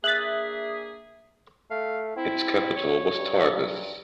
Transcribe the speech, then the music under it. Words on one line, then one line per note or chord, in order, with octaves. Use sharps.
Its capital was Tarbes.
A#3 D4 G#4 E5 D#6 F#6 A6 B6
A3 F5
C4 E4
C#5
G2
F#3